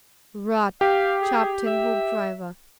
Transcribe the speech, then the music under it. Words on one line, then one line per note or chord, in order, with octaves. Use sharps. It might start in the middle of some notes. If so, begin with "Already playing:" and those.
"Rot!" chopped in Hoopdriver.
G4 F5
G#4
E5